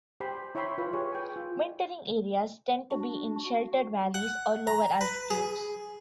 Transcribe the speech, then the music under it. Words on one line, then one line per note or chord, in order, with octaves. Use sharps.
Wintering areas tend to be in sheltered valleys or lower altitudes.
G4 C5 G5 G#5 B5 C6
E4 C#5 E5 G5 B5 C6
F4 B4
G4 G#4 C#5
B4 G5 G#5
F4
D4 F#4
F#4
F#5
A#5
B4
G#4